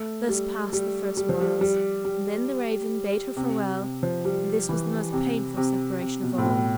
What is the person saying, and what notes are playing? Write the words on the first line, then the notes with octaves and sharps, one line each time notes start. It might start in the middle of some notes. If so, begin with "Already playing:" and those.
Thus passed the first miles; and then the Raven bade her farewell, and this was the most painful separation of all.
Already playing: A3
G3
G3
G3
F3
G3
G3
G3
C3
C3
F3
G3
E3
C3
C3
C3
B2
A2
B2